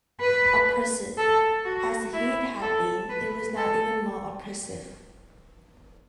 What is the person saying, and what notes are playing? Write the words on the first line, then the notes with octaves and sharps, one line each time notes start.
Oppressive as the heat had been, it was now even more oppressive.
B4
A4
F#4
E4
A4
B4
A4